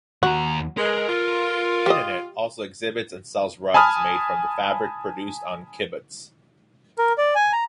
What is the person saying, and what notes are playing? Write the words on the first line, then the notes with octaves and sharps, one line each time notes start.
"Hinnanit" also exhibits and sells rugs made from the fabric produced on the kibbutz.
D#2 F#4 A#5
G#3 A#4 B4
F4
G4 D#5
G#5 A5 B5 D#6 F6
A#4
D5
G#5
A#5